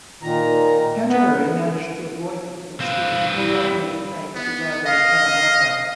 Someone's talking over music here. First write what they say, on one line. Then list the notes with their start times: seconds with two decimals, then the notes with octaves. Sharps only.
Canterbury managed to avoid the wooden spoon partly in thanks to rivals Parramatta.
0.22 A#2 D#3 A#5
1.10 B3 B4
2.80 C4 B4 F5
3.35 G3 E4
4.35 B3
4.85 D#5 F5